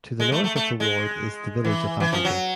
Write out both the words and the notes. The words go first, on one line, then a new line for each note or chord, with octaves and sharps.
To the north of the ward is the village of Appleby.
G#3
A3
A3
A3
G#3
E3
E3
F3
F#3